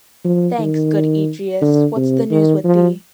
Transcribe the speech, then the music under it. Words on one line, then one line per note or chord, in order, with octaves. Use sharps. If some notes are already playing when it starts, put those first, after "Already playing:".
Thanks, good Egeus: what's the news with thee?
F3
D#3
D3
C3
D#3
F3